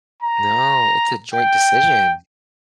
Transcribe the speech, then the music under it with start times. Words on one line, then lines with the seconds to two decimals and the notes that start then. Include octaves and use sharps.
No. It's a joint decision.
0.23 A#5
1.34 G5